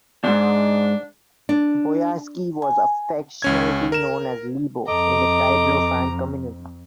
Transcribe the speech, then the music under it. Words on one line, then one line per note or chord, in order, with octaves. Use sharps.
Boyarsky was affectionately known as 'LeBo' in the Diablo fan community.
D#2 G#2 D4
D4
G#5
C#2 C#4 G#6
A#4 E7
F2 A4 D#5 A#5 D6